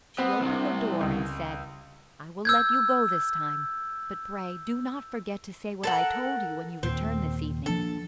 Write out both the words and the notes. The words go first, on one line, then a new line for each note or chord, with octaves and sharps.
She opened the door, and said, "I will let you go this time; but pray do not forget to say what I told you, when you return this evening."
B3 C4
C2 C3
C#2
E6 G6 G#6
A4 A#4 F#5
D#2 A#2 C4
F3 A#3 D4 A4